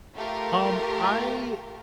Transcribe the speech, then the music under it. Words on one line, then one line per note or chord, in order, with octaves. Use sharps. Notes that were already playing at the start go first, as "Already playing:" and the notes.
Um, I
A3 F4 G4 A#4